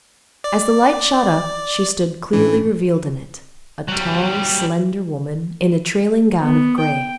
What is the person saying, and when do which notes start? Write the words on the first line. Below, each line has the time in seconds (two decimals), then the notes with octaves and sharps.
As the light shot up she stood clearly revealed in it--a tall, slender woman in a trailing gown of grey.
0.44 D5
2.33 A2 E3 C#4 D4
3.88 F#3 G3
6.41 B3
6.80 G5